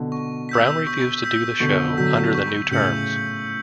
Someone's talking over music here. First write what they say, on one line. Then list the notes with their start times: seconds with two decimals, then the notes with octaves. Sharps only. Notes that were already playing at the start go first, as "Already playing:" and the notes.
Brown refused to do the show under the new terms.
Already playing: B2 D3
0.12 C#6
0.49 E6 G6 B6
0.87 C#6
1.24 E6 G6 B6
1.60 B2 D3 C#6
1.98 D3 F#3 E6 G6 B6
2.35 C#6
2.71 A2 C#3 E6 G6 C#7 F#7